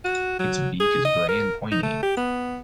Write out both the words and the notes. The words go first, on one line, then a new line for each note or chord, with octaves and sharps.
Its beak is grey and pointy.
F#4
F#3
G#4
D#5
A#4
D#4
A3
G4
B3